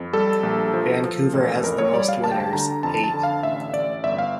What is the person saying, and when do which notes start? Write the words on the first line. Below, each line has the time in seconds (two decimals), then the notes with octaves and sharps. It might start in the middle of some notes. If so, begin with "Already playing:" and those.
Vancouver has the most winners, eight.
Already playing: F2
0.13 G3 A4
0.43 A#1
0.73 F3
1.04 F3
1.33 A1
1.63 F2 A#4
1.78 C#5
1.93 G3 D5
2.09 F5
2.24 D2 A5
2.32 G5
2.40 A5
2.53 D3 A#5
2.83 F2 A5
3.04 A5
3.14 D3
3.23 F5
3.43 A1 E5
3.73 A1 D5
4.03 G1 E5
4.18 F5